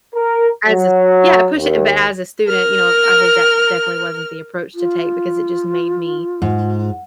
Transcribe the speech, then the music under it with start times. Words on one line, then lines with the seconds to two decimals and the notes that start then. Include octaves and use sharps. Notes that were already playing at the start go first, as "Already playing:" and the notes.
as Yeah, pushi but as a student, you know, I think that definitely wasn't the approach to take because it just made me
0.14 A#4
0.68 F#3
1.57 D#2
2.47 A#4 F6
4.75 F4
6.42 G#2